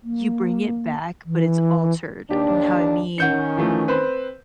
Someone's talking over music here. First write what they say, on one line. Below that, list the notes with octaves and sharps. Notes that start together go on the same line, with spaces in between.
you bring it back, but it's altered, and how I mean,
A#3
E3
D#2 D4 G4
D#3 C#4 F#5 G6 C#7
E3 F3 A3
C4 B4 C5